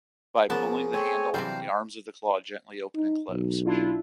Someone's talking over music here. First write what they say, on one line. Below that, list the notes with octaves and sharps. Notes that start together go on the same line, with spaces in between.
By pulling the handle, the arms of the claw gently open and close.
F3 A#3 B3 C#4 G#4 A5
A3 C4 C#5 G#5
C3 E3 F#3 G3 D4 C5 D5 F5
D#4
B1
D4 E4 F4